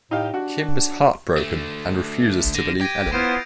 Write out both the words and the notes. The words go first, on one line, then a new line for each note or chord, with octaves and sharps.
Kim is heartbroken and refuses to believe Ellen.
A2 D#4 G4 F5
D4 F#4
D3 A3
D3 A#6
G4 G#6 A#6 D#7
B3 E4 F4 C5 D#6 G6 D7